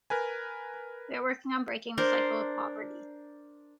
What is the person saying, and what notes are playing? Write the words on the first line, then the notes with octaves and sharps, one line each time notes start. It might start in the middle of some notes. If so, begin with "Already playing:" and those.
We are working on breaking the cycle of poverty.
A#4 B4 G#5
D4 A#4 C5